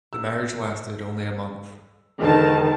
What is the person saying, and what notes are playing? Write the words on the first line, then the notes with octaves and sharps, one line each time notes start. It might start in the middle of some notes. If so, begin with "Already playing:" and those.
The marriage lasted only a month.
E6
E1 D3 D#3 A5